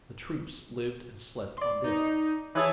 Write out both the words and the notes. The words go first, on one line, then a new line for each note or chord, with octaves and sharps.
The troops lived and slept on deck.
D5 C6
D#4
E3 E4 G#4 B4 C#5 A5